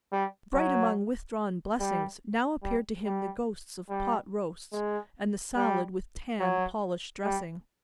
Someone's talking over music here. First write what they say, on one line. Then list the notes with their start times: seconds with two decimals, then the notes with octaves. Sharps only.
Bright among withdrawn blessings now appeared to him the ghosts of pot roasts and the salad with tan polish dressing.
0.12 G3
0.54 F#3
1.80 G3
2.63 G3
3.05 G3
3.89 G3
4.72 G#3
5.56 G3
6.40 F#3
7.24 G3